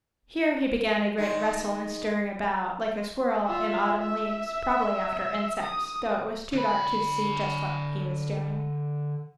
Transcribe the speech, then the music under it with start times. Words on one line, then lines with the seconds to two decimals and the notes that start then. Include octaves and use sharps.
Here he began a great rustle and stirring about, like a squirrel in autumn leaves, probably after insects, though it was too dark to see just what he was doing.
1.17 D#3 G#3 D#4
3.47 F4 E5
4.01 E5
5.61 D#6
6.53 D3 B5